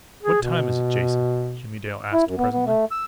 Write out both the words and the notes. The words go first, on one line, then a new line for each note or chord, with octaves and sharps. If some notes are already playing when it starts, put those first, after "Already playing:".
"What time is it, Jason?" Jimmie Dale asked presently.
G#4
B2
E4
F#2
B3
B3
A3
E6